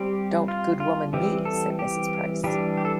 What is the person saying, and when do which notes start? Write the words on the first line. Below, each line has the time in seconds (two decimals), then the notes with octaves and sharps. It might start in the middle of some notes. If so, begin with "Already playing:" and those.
"Don't 'good woman' me," said Mrs. Price.
Already playing: G3 C4 G4
0.48 F4
0.80 F4
1.13 E3 G3 C4 G4
1.45 A4
1.79 G4
2.44 E3 G3 D4 G4
2.77 G4
2.85 A4